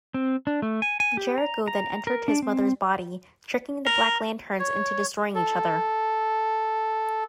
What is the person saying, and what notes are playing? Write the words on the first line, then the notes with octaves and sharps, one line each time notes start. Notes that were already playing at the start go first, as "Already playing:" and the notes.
Jericho then entered his mother's body, tricking the Black Lanterns into destroying each other.
C4
D4
A3
G#5
G#5
G4
A#5
A#5
A#4
D4
C4
A#4
C#5
A4